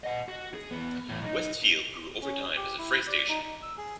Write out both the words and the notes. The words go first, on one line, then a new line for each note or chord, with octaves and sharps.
Westfield grew over time as a freight station.
D#5 F#5
F#4
G#4
E2 B3
E2 A2
B1 D#4
C#4
G4
E4
D5
D#4
D#4
E6
G#4